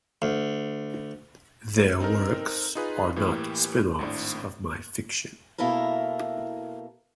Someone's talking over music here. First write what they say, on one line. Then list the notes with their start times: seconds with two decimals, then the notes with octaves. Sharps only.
Their works are not spinoffs of my fiction.
0.22 D2
2.00 C4 D#4 A4 A#4
2.75 D#4 F4 G#4 B4
3.16 A2 E3 A#3 G4
3.99 G#1 A2 D4
5.58 B2 A#3 E4 A4 A#4